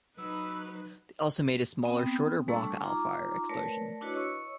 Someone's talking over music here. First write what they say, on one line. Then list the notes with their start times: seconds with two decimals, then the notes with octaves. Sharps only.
They also made a smaller, shorter Rock-afire Explosion.
0.18 F#3 D#4 B4 E6
1.82 B3 C4 G5 D#6
2.48 G3 A3 D4 A4 C#6 E6
2.84 D#4 F4 A#5 C6 D6
3.50 A3 A#4 B4 C#5 D5 A5
4.01 D4 E4 F#4 B4 C#5 D#5
4.14 C#5 D#5 C#6 E6